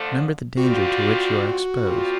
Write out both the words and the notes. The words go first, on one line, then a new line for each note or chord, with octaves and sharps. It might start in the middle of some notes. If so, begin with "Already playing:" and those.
Remember the danger to which you are exposed.
Already playing: D3 F3 A3
D3 G3 C4 F4 F#4
A#2 G3 C4 F4